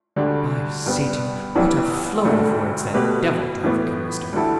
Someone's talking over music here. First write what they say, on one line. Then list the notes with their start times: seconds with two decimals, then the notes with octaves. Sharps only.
By Satan, what a flow of words that devil driver can muster!
0.16 D2 D3 G3 D4
0.86 G2 G3 B3
1.55 A1 G2 E3 G3 B3
2.25 E1 D2 D3 A3
2.94 B2 A3 G4 B4
3.64 A2 E3 B3
4.33 D2 D3 G3 E4 A4